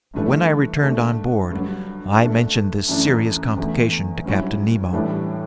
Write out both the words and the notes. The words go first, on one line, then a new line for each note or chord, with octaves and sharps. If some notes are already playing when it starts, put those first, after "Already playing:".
But when I returned on board, I mentioned this serious complication to Captain Nemo.
G2 E3 A3 D4
D3 A3 D4
G2 D3 F#3
D3 A3 D4
F#2 E3 A3 D4
E2 D3 A3
G2 F#3 C#4 E4
A2 E3 G3 D4